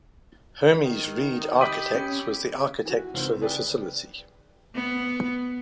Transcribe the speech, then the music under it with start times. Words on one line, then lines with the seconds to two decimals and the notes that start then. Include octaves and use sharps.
Hermes Reed Architects was the architect for the facility.
0.84 D#3
1.61 G4 D#5 B5
1.95 C#4
2.85 E3 F#4
3.14 C#2 D#3 C4
3.42 G#4 B4 D5 G5
4.75 B3